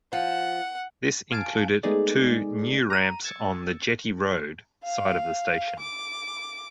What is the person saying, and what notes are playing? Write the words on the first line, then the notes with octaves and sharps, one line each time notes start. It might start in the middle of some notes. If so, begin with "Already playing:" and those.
This included two new ramps on the Jetty Road side of the station.
F3 F#5
F5 G#5 A5 D7
G#3 A3 B3 D#4 G#4 D5
A#5 D#7
E6 G#6 A6 C#7
F5
D6